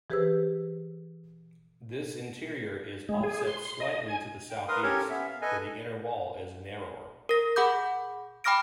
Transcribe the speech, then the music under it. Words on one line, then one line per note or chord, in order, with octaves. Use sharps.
This interior is offset slightly to the southeast, where the inner wall is narrower.
E3 G4 G#4 B4 C5 E6
G#3
G#4
C6
C6
D#5
G#5
G5
A#4 B4 F5 C6 D#6
C#4 G4 A4 A#4 C#5
B3 C#4 E5
F5
A4 B4 D#5 G#5
A#4 A#6
G#4 F#5 B5 D6 G6
G5 B5 D6 F6 A#6 D7